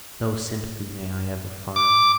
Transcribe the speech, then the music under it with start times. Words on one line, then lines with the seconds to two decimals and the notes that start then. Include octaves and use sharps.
No sympathy may I ever find.
1.76 D6